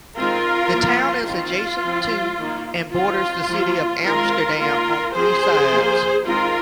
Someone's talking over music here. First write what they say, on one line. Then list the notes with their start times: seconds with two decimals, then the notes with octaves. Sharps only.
The town is adjacent to and borders the city of Amsterdam on three sides.
0.16 D#3 G#3 C4 F4 A#4
0.72 F3 A#3
1.27 D#3 C4 F4
1.83 F3 C4
2.38 D#3 A#3
2.94 D#3 C4 F4
3.49 F3 A#3
4.04 D#3 G#3 C4 F4 A#4
4.59 D#3 A#3 F4 A#4
5.14 F3 C4 G#4 C5
5.71 F3 A#3
6.25 D#3 G#3 C4 F4 A#4